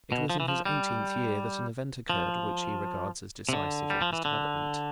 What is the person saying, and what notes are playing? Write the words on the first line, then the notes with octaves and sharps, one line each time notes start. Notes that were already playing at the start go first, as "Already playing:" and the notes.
It was in his eighteenth year that an event occurred which he regards as decisive in his development.
B2
F3
E3
F3
G3
F3
C3
D3
G3
F3
E3
D3